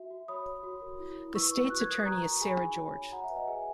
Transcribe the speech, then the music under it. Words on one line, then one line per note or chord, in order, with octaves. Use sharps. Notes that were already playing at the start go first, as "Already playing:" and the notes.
The state's attorney is Sarah George.
Already playing: F#4 E5
F#4
C#5 B5 D#6
C#5
F#4
A#4
E4
E4
B4 C#6 E6
B4
F#4 F#6
G#6
A#4 D#6 F#6
D#6
F#4 A#5 C#6
F#4
G#4 G#5 B5
D#4
C#5
F#4
F#4 F#5 A#5
E5 G#5
B4
D#5 F#5
G#4 E5 G#5